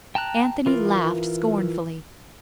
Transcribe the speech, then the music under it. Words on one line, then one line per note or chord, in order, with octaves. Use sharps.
Anthony laughed scornfully.
G5 A5 A#5 F#6
E3 F4 A#4